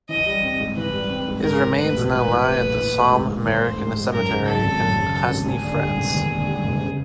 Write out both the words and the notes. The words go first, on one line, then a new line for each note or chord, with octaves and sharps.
His remains now lie at the Somme American Cemetery in Aisne, France.
E3 D#5
G3
C4
G#2
E3 B4
G3
C4
G#2
G#2 A#4
E3
A3 B4
A#1
G#2 B4
E3
A3
A#1
E3
A3
G#2
G#2
E3 C5
A3
G#2
G#2
F#2 A#4
C#3
F#3 A4
G#1
F#2
C#3
F#3
G#1
D#2 G#4
D3
G3
E1
D#2
D3
G3
E1
C#3